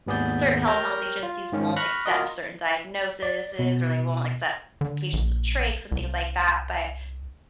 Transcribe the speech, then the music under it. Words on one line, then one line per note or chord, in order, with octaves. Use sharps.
certain home health agencies won't accept certain diagnosis's or they won't accept patients with trachs and things like that, but
G#1 D#2 B3 G#4 D5 G6
G4 A#4 C#5 A#5 F6 G6
F4
G#2 D#3 C#4
B5 C#6 F6 F#6 A#6 B6
F4 F#4 A#4 D#5
D5
B2
D3
A#1
C2